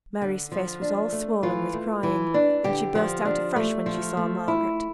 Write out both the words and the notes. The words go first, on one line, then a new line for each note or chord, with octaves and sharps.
Mary's face was all swollen with crying, and she burst out afresh when she saw Margaret.
D3
F3
D4
A3
E3 F4
A3
E3
D4
D3 G4
F3
D4
A3
F3
A3
E4